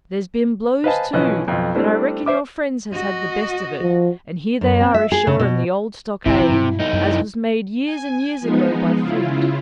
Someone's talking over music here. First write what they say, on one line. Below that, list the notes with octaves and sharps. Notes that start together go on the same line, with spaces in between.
There's been blows too, and I reckon your friends has had the best of it; and here they are ashore in the old stockade, as was made years and years ago by Flint.
B4 C5 D#5 F5 G#5 A5
B1 E3 F3 C#4 D#5 F#6
B1 F2
G3 A3 C4 D4 E4
C5 E5 D6
F#4 D#5
F3
F#2
C4
E5
G#4
C#3
B2
G1 C2 F#2 C3 E4
G2 B2 F#3
C2 D#4
F#2
G#5
F3 G#3 B3 D#4
C#3 E4 F4